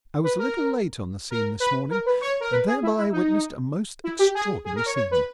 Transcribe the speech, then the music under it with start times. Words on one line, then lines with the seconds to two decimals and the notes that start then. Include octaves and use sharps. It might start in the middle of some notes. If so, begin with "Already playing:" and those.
I was a little late on the scene this morning, and thereby witnessed a most extraordinary scene.
0.24 B4
0.39 A#4
1.31 A#4
1.60 B4
1.90 A#4
2.06 B4
2.21 C#5
2.40 A#4
2.51 B4
2.67 G#4
2.83 E4
2.98 E4
3.12 D#4
4.04 E4
4.19 G4
4.35 G#4
4.65 G#4
4.76 A#4
4.86 C#5
4.96 C#5
5.11 B4